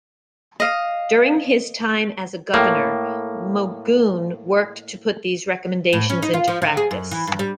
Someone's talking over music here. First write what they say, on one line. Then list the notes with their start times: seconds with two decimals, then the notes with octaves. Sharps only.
During his time as a governor, Magoon worked to put these recommendations into practice.
0.60 D#5 F5
2.54 A2 A#3
5.93 A2
6.10 C#4
6.22 D#4
6.34 F4
6.48 F3
6.62 D3
6.77 G#4
6.91 F#2
7.11 E3
7.27 G2
7.39 G3